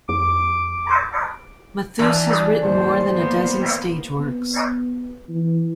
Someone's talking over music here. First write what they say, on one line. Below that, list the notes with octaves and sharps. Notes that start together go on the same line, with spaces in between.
Matthus has written more than a dozen stage works.
F2 D6
E3 D4 D5
D#2 G#2 C5
A#3 B3
B3
E3